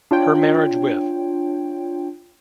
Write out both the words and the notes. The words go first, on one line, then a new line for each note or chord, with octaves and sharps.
Her marriage with.
D4 F4 C#5 G5